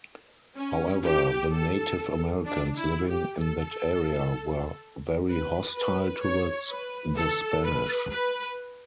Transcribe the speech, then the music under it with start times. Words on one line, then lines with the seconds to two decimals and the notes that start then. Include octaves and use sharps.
However, the Native Americans living in that area were very hostile towards the Spanish.
0.57 C#4
1.04 G4
1.52 A4
2.45 D4
2.77 E4
3.09 G4
3.40 A4
5.28 B4
5.75 B4
6.22 C#5
6.70 B4
7.17 A4
7.64 B4
8.11 B4